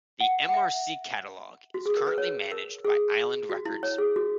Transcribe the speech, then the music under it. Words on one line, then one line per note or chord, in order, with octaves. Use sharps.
The EmArcy catalogue is currently managed by Island Records.
F#5
F#5
E5
F#4
G#4
A#4
B4
C#5
A#4
G#4
F#4
E4
C#5
G#4
F#4